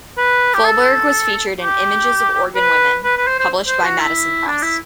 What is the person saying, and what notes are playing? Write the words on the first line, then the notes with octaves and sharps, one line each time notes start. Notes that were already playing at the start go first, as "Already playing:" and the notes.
Folberg was featured in "Images of Oregon Women", published by Madison Press.
B4
G4
A4
G4
B4
B4
B4
C5
C5
C5
F#4
E4
D4
E4